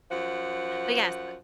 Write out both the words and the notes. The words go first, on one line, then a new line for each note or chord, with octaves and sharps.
But yes. Uh.
F#2 F3 F#5